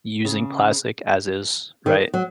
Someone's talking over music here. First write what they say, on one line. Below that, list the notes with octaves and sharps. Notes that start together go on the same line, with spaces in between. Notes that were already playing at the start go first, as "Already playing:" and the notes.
using plastic as is, right?
C#3
D#3
F#3